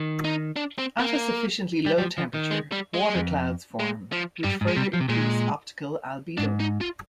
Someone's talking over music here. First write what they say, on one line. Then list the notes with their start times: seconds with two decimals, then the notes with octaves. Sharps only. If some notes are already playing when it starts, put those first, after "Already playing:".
At a sufficiently low temperature, water clouds form, which further increase optical albedo.
Already playing: D#3
0.25 D#4
0.56 D4
0.78 C4
1.00 A#3
1.86 G3
1.98 G3
2.02 F3
2.18 F3
2.34 D#3
2.51 G#3
2.72 G3
2.94 G#3
3.15 F2
3.80 G#3
4.12 F3
4.44 G2 G3
4.61 G#2
4.68 G#3
4.76 C3 G3
4.93 F3
5.01 C3
5.08 A#2 G#3
6.37 G#2 D4
6.60 D#4
6.81 F4